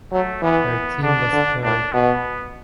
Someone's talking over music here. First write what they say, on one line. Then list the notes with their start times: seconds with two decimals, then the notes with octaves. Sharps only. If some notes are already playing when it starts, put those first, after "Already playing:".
Her team was third.
0.12 F#3 A3
0.42 E3 B3
1.02 D3 D4
1.33 D3
1.63 A2 D4
1.93 B2 B3